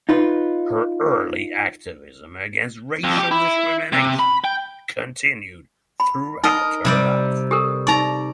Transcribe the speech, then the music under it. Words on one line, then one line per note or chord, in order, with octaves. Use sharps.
Her early activism against racial discrimination continued throughout her life.
D#4 F4 B4
F2
G4
E4
C3
B5
G5
B5
D#4 A#4 D#5 D#6
C3 G3 D5
G4 A4 A#4
D#4 D5 A#5 C#6